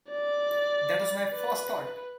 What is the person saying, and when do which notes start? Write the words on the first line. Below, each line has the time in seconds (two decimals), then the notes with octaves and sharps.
That was my first thought.
0.11 D5
1.35 B4